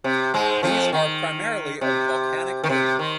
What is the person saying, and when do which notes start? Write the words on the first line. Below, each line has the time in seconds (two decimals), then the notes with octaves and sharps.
These are primarily of volcanic origin.
0.04 C3
0.34 G#2 G#3
0.63 F2 F3
0.93 D#3
1.81 C3
2.64 D#3
2.69 C3
2.99 D#3